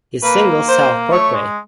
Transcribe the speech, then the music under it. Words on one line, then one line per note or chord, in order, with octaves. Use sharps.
His single "South Parkway".
A#3 B4
C5
A3 C#5
G#3